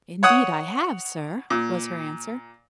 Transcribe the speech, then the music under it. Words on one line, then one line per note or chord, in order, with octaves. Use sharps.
"Indeed I have, sir," was her answer.
C#5 F#5 D#6
A#2